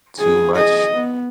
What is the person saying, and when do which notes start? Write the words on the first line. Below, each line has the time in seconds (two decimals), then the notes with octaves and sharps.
too much.
0.19 G#4
0.56 G#4 D#5
0.95 B3